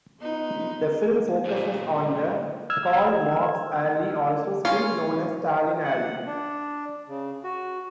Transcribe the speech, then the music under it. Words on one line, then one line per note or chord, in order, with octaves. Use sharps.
The film focuses on the Karl-Marx-Allee, also still known as Stalin-Allee.
B3 D#4 F4
F#2 A#2
E6 F6 G#6
C#4 F4
F#5
D4
C#3
F#4